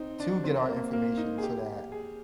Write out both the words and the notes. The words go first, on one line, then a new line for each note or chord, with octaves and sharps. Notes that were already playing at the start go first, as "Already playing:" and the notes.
to get our information, so, that
Already playing: C4 D#4
D4
C4
A#3
A#3
D#4
G#4
G4
G#4